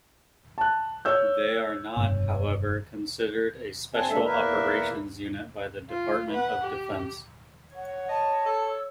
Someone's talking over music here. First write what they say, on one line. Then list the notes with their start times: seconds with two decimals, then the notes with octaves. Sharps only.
They are not, however, considered a special operations unit by the Department of Defense.
0.58 A5 F#6
1.05 C#5 E6 G6
1.97 F1 G2 B2
3.95 D#2 C4 G#5 A5
4.09 G#3 A#3 D4 A4 E5
4.24 E2 A#3 E4 A#4 B4 E5
5.90 F4
6.30 B4 F#5
6.61 G4
7.76 C#5 F#5
8.09 D#5 A5
8.46 A4 E6